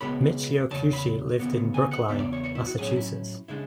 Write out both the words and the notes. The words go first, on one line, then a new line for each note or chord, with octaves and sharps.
Michio Kushi lived in Brookline, Massachusetts.
C#2 B2 G#3 B3 B5
E2 C#3 A5
B5
D2 C#3 E3 B3
G#5
F#5
E2 C#3 E3 B3 D4 E5
D5
C#5
C#5
E4
F#4
A2 F#3 C#4 E4 G#4
E4
C#3 G#3 D4 E4